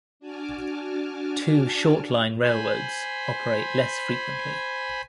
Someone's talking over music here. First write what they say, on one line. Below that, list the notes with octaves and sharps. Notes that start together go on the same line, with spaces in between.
Two short-line railroads operate less frequently.
D4 F#4 G#5 A5 D6 F6
C5 G#5 B5